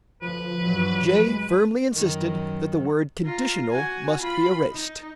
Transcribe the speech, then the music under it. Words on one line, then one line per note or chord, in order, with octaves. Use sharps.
Jay firmly insisted that the word "conditional" must be erased.
D2 F3 B4
G2 E3 F#3
G#3
F#2 D#3
F4 A#5
F#4 G#5
F4 B5
D#4